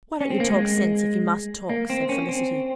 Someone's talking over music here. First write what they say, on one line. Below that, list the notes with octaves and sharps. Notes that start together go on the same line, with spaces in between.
"Why don't you talk sense, if you must talk?" said Felicity.
C#4
C4
A#3
G#3
A#3
C4
C#4
C4